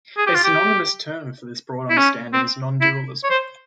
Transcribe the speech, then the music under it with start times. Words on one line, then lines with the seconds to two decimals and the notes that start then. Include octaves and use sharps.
A synonymous term for this broad understanding is nondualism.
0.17 G#4
0.27 G4
0.35 F4
0.44 G4
1.90 E4
1.97 C#4
2.33 C4
2.81 E4
3.24 C#5
3.30 C5